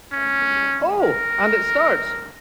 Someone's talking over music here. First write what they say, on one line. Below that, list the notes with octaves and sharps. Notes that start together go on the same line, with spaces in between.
Oh! And it starts!
C#4
A#4